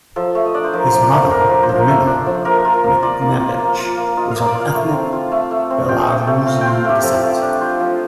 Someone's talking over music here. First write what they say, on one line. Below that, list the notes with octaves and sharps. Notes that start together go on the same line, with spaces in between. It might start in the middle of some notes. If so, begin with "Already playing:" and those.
His mother, Ludmila Mikhnevich, was of ethnic Belarusian descent.
F3 A4
A3
D#5
D4 D5
C5
F3 A#4
F3 C5
D5
A3 C5
D4 A#4
F3
C5
F3
A#4
A3 A4
D4
F3
A#3 A#4
F4
A#4
A#3
F4 D5
A#3
F4
A#3
F4
A#3
F4 D#5
A#3 F5
D5
F4
F5
A3
C4
F4
A3
A3
C4
F4 G5
A3
G5
A3
C4 F5
F4 G5
F5
A3 G4
F3 A4
A3
D4
F4 C5
F3